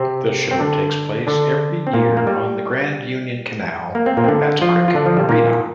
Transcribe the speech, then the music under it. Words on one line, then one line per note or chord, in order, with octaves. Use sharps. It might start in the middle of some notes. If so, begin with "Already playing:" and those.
The show takes place every year on the Grand Union Canal at Crick Marina.
Already playing: C3 C4
C4
D3 D4
D3 D4
C4
A#2 A#3
A#3
G3
A#3
C4
A#2 A#3
C4
D3 D4
F3 F4
F4
D3 D4
F3
G3
A#2 A#3